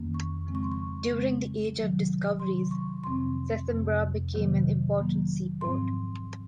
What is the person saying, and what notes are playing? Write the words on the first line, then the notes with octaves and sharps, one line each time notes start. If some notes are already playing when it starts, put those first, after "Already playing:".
During the Age of Discoveries, Sesimbra became an important seaport.
Already playing: F2 D#3 A#3 C#4
C#6
C#3 F3 G#3 C4
C#6
C6
C#6
C#3 F3 G#3 C4
C3 D#3 F#3
C3 D#3 F#3 C6
C#6
F2 C3 F3 C4 C6
F2 C3 F3 C4
C3 D#3 F#3 A#3
C3 D#3 F#3 A#3
G#2 F3 C4 C6